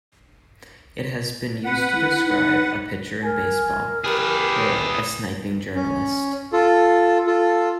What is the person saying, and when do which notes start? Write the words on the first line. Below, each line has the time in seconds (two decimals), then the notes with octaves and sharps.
It has been used to describe a pitcher in baseball, or a sniping journalist.
1.65 C4 B4 F#5
1.94 E4
2.25 D#4
3.23 A#4 G#5
4.04 G4 G#4 B4
5.75 C#4
6.53 F4 A4
7.27 F4 A4